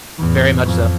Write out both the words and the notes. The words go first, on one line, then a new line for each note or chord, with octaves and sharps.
Very much so.
E2 A2
F2